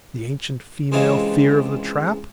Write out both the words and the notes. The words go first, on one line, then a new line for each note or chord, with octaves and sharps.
The ancient female fear of the trap?
C#2 C3 E3 G#3 F4